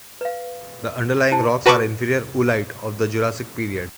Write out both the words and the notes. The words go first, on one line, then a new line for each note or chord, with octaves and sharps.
The underlying rocks are Inferior Oolite of the Jurassic period.
B4 F5
E4 C5 A5
F#4 B4 A5 B5 C#6 D6